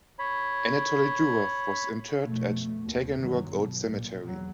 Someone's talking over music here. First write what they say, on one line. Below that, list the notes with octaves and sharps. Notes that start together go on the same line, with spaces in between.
Anatoly Durov was interred at Taganrog Old Cemetery.
C#5 B5
F2 B2 A3
D#2 B2
G1 D#3 F#3
B2
B1 A#2
E2 F#3